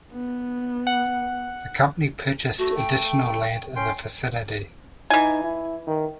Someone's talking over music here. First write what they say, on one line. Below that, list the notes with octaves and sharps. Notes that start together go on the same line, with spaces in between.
The company purchased additional land in the vicinity.
B3
F#5
A3 F#4
G5
C#4 G5 C6
E3 D#4 G#5
E4
D#3